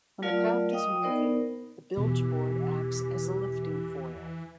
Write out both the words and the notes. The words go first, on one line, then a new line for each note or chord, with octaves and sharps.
When the craft is moving, the bilgeboard acts as a lifting foil.
F#3 A3 F4 A#4 D5 F5
D#5 F5 G5 D#6
B3 D#4 A#4 C5 D5
E2 B2 E3 G4